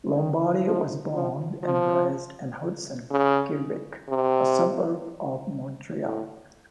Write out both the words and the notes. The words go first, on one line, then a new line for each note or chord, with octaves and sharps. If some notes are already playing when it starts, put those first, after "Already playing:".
Lombardi was born and raised in Hudson, Quebec, a suburb of Montreal.
D#3
F3
F3
F3
C#3
C3
A2